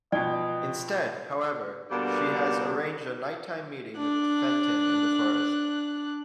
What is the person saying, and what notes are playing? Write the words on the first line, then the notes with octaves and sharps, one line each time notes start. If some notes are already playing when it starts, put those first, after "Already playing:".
Instead, however, she has arranged a nighttime meeting with Fenton in the forest.
B2 F3 D5 D#5 G5
B2 D3 G3 A#3 B3 D4
D4 F#6